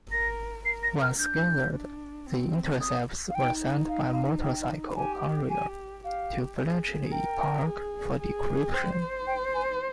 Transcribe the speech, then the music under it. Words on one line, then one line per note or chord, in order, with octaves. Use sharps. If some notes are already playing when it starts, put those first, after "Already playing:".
Once gathered, the intercepts were sent by motorcycle courier to Bletchley Park, for decryption.
A#4 A#6
A#4 C7
A#6
F6
D4 G6
D4
C4
D#6
F5
D#4 G5
F5
F5
G5
G4 G#5
G4 G#5
G4 F5
G#4
A#4 G5
G#4
G#4
C5 G5
G5
G#5